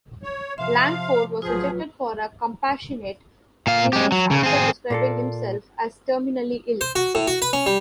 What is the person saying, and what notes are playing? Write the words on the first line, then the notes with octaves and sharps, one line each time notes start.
Langford was rejected for a compassionate release after describing himself as "terminally-ill".
C#5
C3 F3 E5 F5 C6
A1 F3 F#3 F4 G#4 B4
A#2 F5
G#3 G4
F#3
C#3
C4 G#4
A#2 A#3 A4
C5
F#4
A2
F#4
B4
C#4
G3